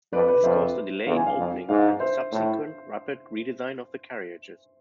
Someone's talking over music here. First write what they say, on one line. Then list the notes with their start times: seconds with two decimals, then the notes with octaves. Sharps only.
This caused a delay in opening, and a subsequent rapid redesign of the carriages.
0.12 F2 B4 D5
0.28 B4 D5
0.43 F2 C5 E5
1.06 E2 F5
1.16 G#5
1.26 D5 F5
1.38 F2
1.68 G#2 D5 F5
2.00 C5 E5
2.32 A2